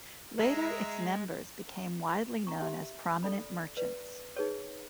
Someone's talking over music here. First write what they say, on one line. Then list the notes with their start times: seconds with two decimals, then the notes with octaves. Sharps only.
Later its members became widely known as prominent merchants.
0.40 G#3 E5 A#5
2.47 A#5 C#6
2.60 G4 E5
3.23 A4 D5 B5
3.77 B4 D5
4.37 D#4 G#4 B4 C#5